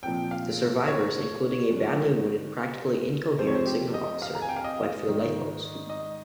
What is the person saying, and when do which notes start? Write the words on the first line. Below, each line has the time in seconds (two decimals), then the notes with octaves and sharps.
The survivors, including a badly wounded, "practically incoherent" signal officer, went for the lifeboats.
0.03 A#2 F3 C4 G5
0.31 F5
0.87 C#5
1.71 G2 F3 G#3 C#4
3.38 F2 C3 F3 C4 C5
3.47 C#5
3.55 C5
3.66 G4
3.94 D#5
4.22 F5
4.35 A#5
4.42 G#5
4.49 G5
4.56 F5
4.64 D#5
5.06 G#2 D#3 G3
5.89 D#5